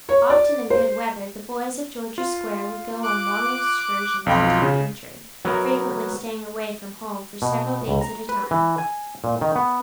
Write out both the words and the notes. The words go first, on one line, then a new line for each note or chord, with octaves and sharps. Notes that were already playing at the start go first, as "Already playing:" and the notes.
Often in good weather the boys of George's Square would go on long excursions into the country, frequently staying away from home for several days at a time.
C#5
D5
C5
F4
D6 F#6
B1 F2 F4 G5
C#3
F#3 B3 A#4
B2
C#2
A#5
B4
E3
G#5
A#2
D#3
B3